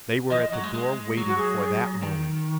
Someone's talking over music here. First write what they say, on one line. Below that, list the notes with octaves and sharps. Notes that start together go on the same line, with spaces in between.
They were at the door waiting for that moment.
F3 D#5
F#3
G#3
G#3
F#3
F#4
G#4
D#3